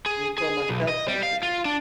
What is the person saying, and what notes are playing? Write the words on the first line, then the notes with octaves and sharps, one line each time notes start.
let me pull myself back in."
G#4
G#4
B1
D#5
G3
F5
F4
D4